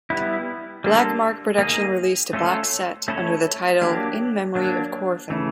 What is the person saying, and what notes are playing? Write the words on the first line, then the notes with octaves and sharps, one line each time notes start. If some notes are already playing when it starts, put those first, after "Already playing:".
Black Mark Production released a box set under the title "In Memory of Quorthon".
G3 B3 E4
G3 A#3 D4 F4 A4
A#3 D#4 G#4
A3 C#4 F4 A4
A3 C#4 E4 A4 C#5
F#3 A#3 D4 G4
F#3 A#3 D4
C#3 E3 A3